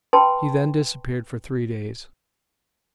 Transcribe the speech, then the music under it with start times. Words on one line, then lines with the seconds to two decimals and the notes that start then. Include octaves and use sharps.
He then disappeared for three days.
0.13 B4 G5 A5 B5 C6